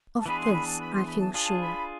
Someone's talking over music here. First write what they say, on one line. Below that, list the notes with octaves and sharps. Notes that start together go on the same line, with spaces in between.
Of this I feel sure.
A5
E3 B3 D4 G#4 B5
C6
B5
A5
B5
C6
B5
A5
D4 F4 G#4 A5
B5